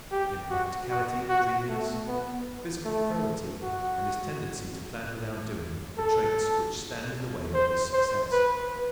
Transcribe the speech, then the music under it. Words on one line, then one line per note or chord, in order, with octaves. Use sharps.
Impracticality, dreaminess, physical frailty and his tendency to plan without doing, are the traits which stand in the way of his success.
G4
F#4
F#4
F#4
A3
B3
A3
F#4
A4
C5
C5
B4